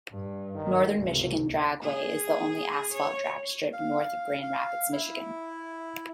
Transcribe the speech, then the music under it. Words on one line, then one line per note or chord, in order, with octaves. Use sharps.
Northern Michigan Dragway is the only asphalt dragstrip north of Grand Rapids, Michigan.
G2
D#3
G#1 C#2 C3
G#4
C#5
F5
F5
E4